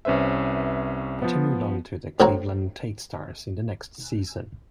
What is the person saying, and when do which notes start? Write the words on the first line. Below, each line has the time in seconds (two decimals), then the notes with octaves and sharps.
But he moved on to the Cleveland Tate Stars in the next season.
0.05 C2 C#4 B4 C5 E5
1.22 F3 B3
2.20 A2 C4 F#4 C#5 A#5